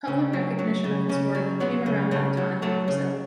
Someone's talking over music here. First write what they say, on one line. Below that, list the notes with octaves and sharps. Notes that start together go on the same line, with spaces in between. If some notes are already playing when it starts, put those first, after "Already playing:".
Public recognition of his work came around that time in Brazil.
C#3 C#4
F#3
F#3
C#3
C#3 C#4
F#3
F#3 B3
C#3
C#3 A3
F#3
F#3 A3
C#3